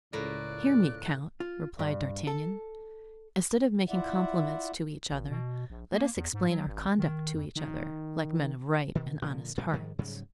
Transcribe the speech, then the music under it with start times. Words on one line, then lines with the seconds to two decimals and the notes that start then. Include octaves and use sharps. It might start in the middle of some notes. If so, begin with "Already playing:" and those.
"Hear me, count," replied D'Artagnan; "instead of making compliments to each other, let us explain our conduct to each other, like men of right and honest hearts."
0.13 C#2 A2 A#3 D5 F#6
1.40 F4
1.79 G2
2.27 A4
3.89 E4 F4 D5 E5 F#5
5.12 G#1
5.30 B2
5.70 A#1
5.93 A#3
6.17 E2
6.34 G#2
6.49 F#3
6.67 G#1
6.99 D#3
7.35 F2
7.56 D#3
8.95 B2 D#3
9.22 A#2 D3 F3 A#3
9.57 A2 C3 F#3 G#3
9.70 G#2 D#3 F3 G3
9.99 G#2 C#3 F#3 G3